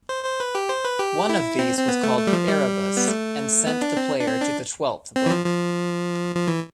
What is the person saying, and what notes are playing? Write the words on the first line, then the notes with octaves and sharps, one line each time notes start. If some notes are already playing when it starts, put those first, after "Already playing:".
One of these was called "Erebus" and sent the player to the twelfth book.
C5
C5
B4
G4
C5
B4
G4
E4
C4
C4
B3
A3
A3
G3
F3
G3
B3
A3
B3
D4
C4
D4
C4
D4
C4
E3
F3
F3
F3
E3